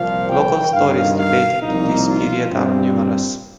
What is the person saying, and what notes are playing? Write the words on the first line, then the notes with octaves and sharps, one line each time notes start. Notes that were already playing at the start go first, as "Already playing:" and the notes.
Local stories relating to this period are numerous.
Already playing: C2 A#2 F3 F5
G5
G2 D#3 G3 F5
F5
C2 A#2 F3 D#4
F4
G2 G3 C4